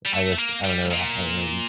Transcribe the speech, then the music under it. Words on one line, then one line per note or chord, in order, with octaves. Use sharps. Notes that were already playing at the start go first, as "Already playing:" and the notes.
I guess, I don't know I I don't know, you
G3
A3
A#3
G3
A#2